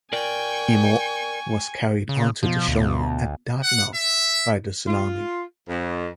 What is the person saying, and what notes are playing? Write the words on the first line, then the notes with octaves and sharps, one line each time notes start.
"Imo" was carried onto the shore at Dartmouth by the tsunami.
A#4 D5 G5 G#5 C#6
C#3
B2 F3 F4
D2
F#5
E5
F4
F2